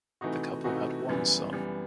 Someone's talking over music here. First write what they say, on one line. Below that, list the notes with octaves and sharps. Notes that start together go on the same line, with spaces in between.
The couple had one son.
C3 E3 A3 D#4 F#4
C3 E3 A3 D#4 F#4
F#2 E3 G3 B3
F#2 E3 G3 B3